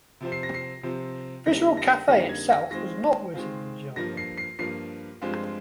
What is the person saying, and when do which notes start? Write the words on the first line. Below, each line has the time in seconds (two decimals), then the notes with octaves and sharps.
Visual Cafe itself was not written in Java.
0.21 C3 F3 C4
0.32 C7
0.43 A#6
0.54 C7
0.83 C3 F3 C4
1.46 F2 D3 G3 A#3 D#4 A#6
1.77 A#6
2.08 F2 D3 G3 A#3 D#4 A#6
2.29 G#6
2.50 A#6
2.71 D#3 G#3 C4 F4 A#6
3.34 D#3 G#3 C4 F4
3.96 G2 F3 A#3 A#6
4.17 C7
4.38 C7
4.59 G2 F3 A#3 C7
5.21 G2 F3 G#3 C4 F4